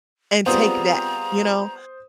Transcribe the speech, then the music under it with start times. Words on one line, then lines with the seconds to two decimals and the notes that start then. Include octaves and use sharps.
And take that, you know,
0.46 G3 B3 C4 F4 G#4 C5 A#5 D#6